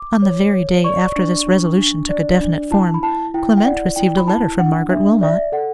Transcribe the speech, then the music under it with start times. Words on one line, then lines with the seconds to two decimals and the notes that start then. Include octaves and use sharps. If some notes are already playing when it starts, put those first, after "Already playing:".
On the very day after this resolution took a definite form, Clement received a letter from Margaret Wilmot.
Already playing: D6
0.22 C#5
0.53 C#5
0.84 D5 C#6
1.16 D4
1.47 D4
1.78 D4
2.09 D5
2.41 D4
2.71 E4 A5
2.94 B5
3.02 E4 A5
3.34 E4 G5
3.58 G5
3.65 D5 F#5
3.96 E4 G5
4.17 B5
4.27 E4 A5
4.59 D4 F#5
4.90 D4 E5
5.21 D5 E5
5.52 A4 F#5